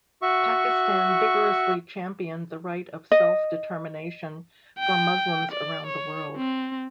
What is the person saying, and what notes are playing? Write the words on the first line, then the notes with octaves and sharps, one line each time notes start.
Pakistan vigorously championed the right of self-determination for Muslims around the world.
F#4 E5 C#6
D#5
G5
D5
C#5
C4